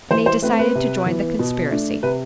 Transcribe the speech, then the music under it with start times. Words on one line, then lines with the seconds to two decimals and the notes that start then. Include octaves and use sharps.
And they decided to join the conspiracy.
0.11 E3 C5
0.26 C5
0.42 A3 C4 B4
0.59 B4
0.75 C3
1.06 E3 B3
1.39 B2
1.71 A3 D4
2.03 C3 B4